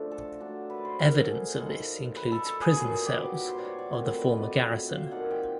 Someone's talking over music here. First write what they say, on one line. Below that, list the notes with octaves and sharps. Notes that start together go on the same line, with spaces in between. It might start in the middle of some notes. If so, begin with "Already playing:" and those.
Evidence of this includes prison cells of the former Garrison.
Already playing: D3 F3 A3 D4
A4
F#3 A3 D4
B4
C5
A#4
A4
G#4
A#2 F3 A#3 D#4 A4
B4
A4
A4
G#4
A#2 F#3 B3 G#4
G4
F#4
G4
C5
D5
C#5
D5
A#2 F#3 A3 C4 C#5
B4
D#5
D5
D#5
E5
E5
F5
F3 A#3 D#4 F#5
G5